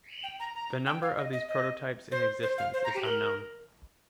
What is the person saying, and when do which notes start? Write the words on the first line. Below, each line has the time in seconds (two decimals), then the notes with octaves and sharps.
The number of these prototypes in existence is unknown.
0.23 G5
0.40 A#5
0.55 A#5
0.86 G5
1.02 F5
1.17 D#5
1.33 D#5
1.49 D#5
2.11 C5
2.43 C5
2.58 F5
2.74 C5
2.84 A#5
2.95 G4
3.05 A#4